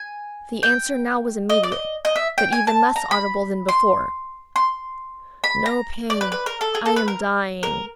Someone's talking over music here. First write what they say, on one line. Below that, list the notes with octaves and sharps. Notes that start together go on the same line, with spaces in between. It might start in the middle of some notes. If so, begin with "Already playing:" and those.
The answer now was immediate, but even less audible than before: "No pain--I am dying."
Already playing: G#5
G5
D#5
D5
D#5
D#5
E5
G5
G#5
A5
A#5
B5
C6
C6
B5
A#5
D5
B4
B4
A#4
A4
G#4
A4
B4
A#4
A#4